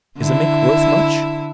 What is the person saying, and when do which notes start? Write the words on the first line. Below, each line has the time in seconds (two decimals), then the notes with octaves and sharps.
"Is a mink worth much?"
0.19 D3 E4